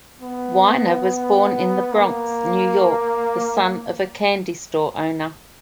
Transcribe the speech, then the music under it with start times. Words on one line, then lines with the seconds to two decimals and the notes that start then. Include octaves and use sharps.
Weiner was born in the Bronx, New York, the son of a candy-store owner.
0.21 B3
1.92 A#3